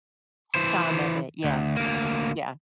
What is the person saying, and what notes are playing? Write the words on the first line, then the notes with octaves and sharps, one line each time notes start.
Some of it, yes, yeah.
E3 C5
D2
D2 A#3